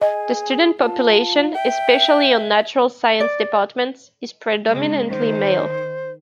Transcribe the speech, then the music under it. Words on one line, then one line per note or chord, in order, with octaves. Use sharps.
The student population, especially on natural science departments, is predominantly male.
G#4 D#5 G#5
F4 A5
E5 G5
D5
C#3 G#3
D#3 C5